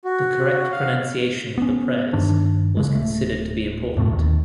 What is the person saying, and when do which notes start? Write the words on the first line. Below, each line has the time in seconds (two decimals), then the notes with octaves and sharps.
The correct pronunciation of the prayers was considered to be important.
0.04 F#4
0.72 F5
1.58 B3 C#4
2.13 G2 D#3 D4
2.77 C#3 G#3
2.95 D1 A3
3.97 F1 A2 A3 C4
4.12 D#1 D#2 A#2 D#3